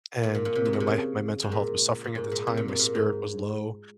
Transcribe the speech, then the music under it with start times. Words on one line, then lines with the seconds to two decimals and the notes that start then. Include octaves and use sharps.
And, me know, my h my mental health was suffering at the time, my spirit was low,
0.23 A#2
0.34 A#2
0.45 A#2
0.55 C3
0.65 G#2
0.73 A#2
0.80 C3
0.87 C#3
1.43 G#2
1.52 A#2
2.04 A#2
2.15 G#2
2.31 A#2
2.47 C3
2.57 A#2
2.68 G#2
2.79 A#2
2.95 G#2